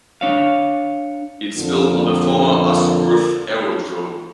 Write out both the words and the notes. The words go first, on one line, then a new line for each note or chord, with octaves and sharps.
It's built on the former Usworth Aerodrome.
D4 C#5 F5
F2 A#2 D3